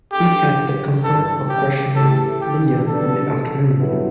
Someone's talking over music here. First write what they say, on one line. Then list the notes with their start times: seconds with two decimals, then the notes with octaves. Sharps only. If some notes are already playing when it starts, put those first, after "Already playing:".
We had the comfort of questioning Leah in the afternoon.
0.12 E3 B3 D4 G4 A4
1.03 G2 E3 G3 A4
1.49 G4
1.95 A2 E3 A3 E4 G4 A4
2.41 G4
2.87 D3 F#3 B3 D4 G4 A4
3.78 G2 D3 F#3 B3 E4